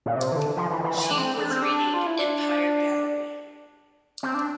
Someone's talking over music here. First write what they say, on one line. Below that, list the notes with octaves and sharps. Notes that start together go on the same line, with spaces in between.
She was renamed "Empire Gallery".
A#2
C3
E3
D3
F3
E3
E3
E3
D4
C4
D4
C4
D4
F4
E4
D4
C4
D4